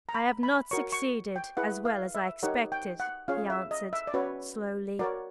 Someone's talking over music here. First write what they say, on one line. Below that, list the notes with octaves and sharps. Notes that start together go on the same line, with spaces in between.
"I have not succeeded as well as I expected," he answered slowly.
A#5
B5
B5
F#4 A#4 C#5 C#6
C#6
G5
E4 G#4 B4 F#5
F5
E5
D#4 G4 A#4 C#5 F#5
G5
F#5
C#4 F4 G#4 C#5 F5
E5
D#5
E5
D5
C#4 F#4 B4 C#5
F#4 A#4 C#5 D5